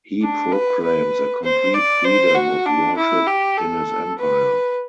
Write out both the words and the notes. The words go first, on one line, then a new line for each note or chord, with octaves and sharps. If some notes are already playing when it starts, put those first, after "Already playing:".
He proclaims a complete freedom of worship in his empire.
D4
B4
B4
C5
D5
C5
F#4
D4
E4
G4
A4
B4